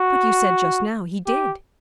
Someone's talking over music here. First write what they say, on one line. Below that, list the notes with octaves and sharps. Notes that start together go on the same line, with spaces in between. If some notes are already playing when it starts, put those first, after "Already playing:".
"But you said just now he did."
Already playing: F#4
G4